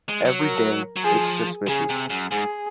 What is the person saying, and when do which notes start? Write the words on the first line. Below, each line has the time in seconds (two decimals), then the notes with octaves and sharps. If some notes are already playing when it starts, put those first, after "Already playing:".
Every day... it’s suspicious!
0.09 G#3
0.25 F#3
0.40 A#4
0.96 F#3
1.04 F3 G#4
1.68 C#3 G#4
1.89 C3
2.10 F#2
2.31 G#2 G#4